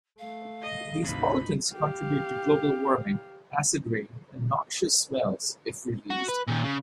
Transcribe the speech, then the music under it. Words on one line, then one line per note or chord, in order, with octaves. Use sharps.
These pollutants contribute to global warming, acid rain, and noxious smells if released.
A3 F5
D#5
G#1 D2 C3 D#4 B5
G4 F5
F#4
B4
A#2 D#3
C#3